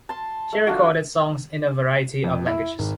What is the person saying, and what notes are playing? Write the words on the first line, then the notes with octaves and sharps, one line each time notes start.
She recorded songs in a variety of languages.
A5 C6
A3
D4 F4 F#4
F2
E4
G#1